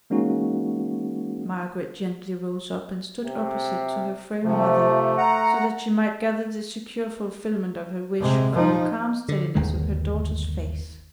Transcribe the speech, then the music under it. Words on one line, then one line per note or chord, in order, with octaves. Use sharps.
Margaret gently rose up and stood opposite to her frail mother; so that she might gather the secure fulfilment of her wish from the calm steadiness of her daughter's face.
E3 G#3 A#3 C#4 D#4 F#4
C3
C3 F3 A3
F#5 A#5
C3 G#3
F3 D#4
D3
G1 D#2 D#3 G#3